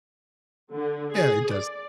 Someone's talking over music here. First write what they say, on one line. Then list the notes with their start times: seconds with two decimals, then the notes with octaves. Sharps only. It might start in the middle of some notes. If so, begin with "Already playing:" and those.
Yeah, it does.
0.72 D3
1.13 G#4
1.52 D5